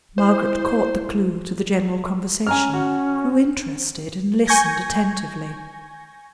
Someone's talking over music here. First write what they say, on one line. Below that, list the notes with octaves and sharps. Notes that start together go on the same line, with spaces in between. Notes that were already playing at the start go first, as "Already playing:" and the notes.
Margaret caught the clue to the general conversation, grew interested and listened attentively.
E4 C5
C#4 G#5 A#5 F6
F#4
G#5 C#6 G6 G#6 A#6